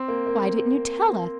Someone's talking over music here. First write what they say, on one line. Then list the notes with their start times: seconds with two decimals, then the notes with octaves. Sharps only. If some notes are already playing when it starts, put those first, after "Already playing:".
Why didn't you tell us?
Already playing: C4
0.08 A#3
0.27 A#3